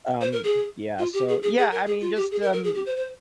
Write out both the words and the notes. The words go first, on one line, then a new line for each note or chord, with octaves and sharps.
um yeah, so yeah, I mean, just, um,
C5
A#4
G#4
F4
G4
G#4
G#4
G#4
A#4
G#4
F4
G4
G#4
A#4
A#4
G#4
G4
C5
C5